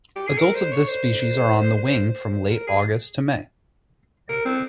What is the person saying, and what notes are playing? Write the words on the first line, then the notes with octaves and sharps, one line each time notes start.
Adults of this species are on the wing from late August to May.
G4
G#4
A#4
C5
C#5
C5
C5
C5
C5
A#4
G#4
A#4
C4